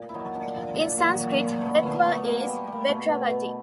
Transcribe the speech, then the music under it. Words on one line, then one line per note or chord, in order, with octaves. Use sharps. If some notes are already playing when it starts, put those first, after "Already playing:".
In Sanskrit "Betwa" is "Vetravati".
Already playing: A#2
E4
F#3 D#4
A#2 D4
A#2
A#2
F#3 A#3
F#3
A#2
A3 B3
A#2
A3
B2 A#3
A#3
G3
A3
G3
A#3
B2 A3
B2
B2